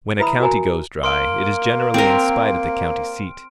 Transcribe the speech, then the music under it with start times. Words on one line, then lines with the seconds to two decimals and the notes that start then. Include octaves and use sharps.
When a county goes dry, it is generally in spite of the county-seat.
0.20 E4 B4 E5 A#5 B5 D#6
0.40 F#4 A#4 G#5 A#5
1.04 A#3 C6 F6 D7
1.94 C4 A#4 D7